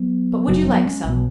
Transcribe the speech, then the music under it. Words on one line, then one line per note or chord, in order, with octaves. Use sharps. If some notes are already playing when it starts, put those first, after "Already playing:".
But would you like some?
Already playing: F#3 B3
F#1 F#2 C#3 F#3
F#3 B3
G#3 C#4
B1 B2